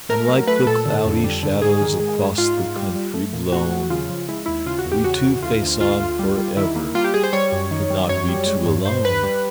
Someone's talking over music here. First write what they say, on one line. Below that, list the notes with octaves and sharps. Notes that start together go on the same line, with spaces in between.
And like the cloudy shadows Across the country blown We two face on for ever, But not we two alone.
A3 A#4
F#3
A3 B4
A#2 A4
D3
F2
G3
D3
G#2 G#4
D#3
G#3
G#2
G#2 F4
G#2
G3
G3
A3
A#2
A3 F#4
F#3
C#3 F4
F3
G#3 E4
D#2 E4
C#3 F4
F#4
E2
G4
C#3 F#4
E3
D2 F4
D2
D2 F4
D2
G3
G3
D#3 E4
A#3
G3 F4
G4
G3 G#4
C5
G3 C#5
F#2
D#3
G3
F#2 C#5
G3
G#3
G2
G2 C5
G2 B4
G3